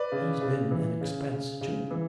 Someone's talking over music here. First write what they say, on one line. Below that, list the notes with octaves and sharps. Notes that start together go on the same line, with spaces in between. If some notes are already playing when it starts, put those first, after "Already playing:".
He's been an expense too.'
Already playing: B4 D5
C#3
C#3
E3
C#3
C#3
C#3
E3